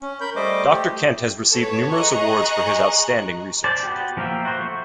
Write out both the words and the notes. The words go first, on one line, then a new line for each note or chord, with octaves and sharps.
Doctor Kent has received numerous awards for his outstanding research.
C#4
A#4 B5 G6
G3 A3 C5 D#5 D6
A3 G4
A4 B4 C#5
G#4 D#5 A#5 C#6 F#6
C5 D5 A5
B3 F#4 G4
F3 A#3 A#4 E5 G5
F#4 C5
A3 C#6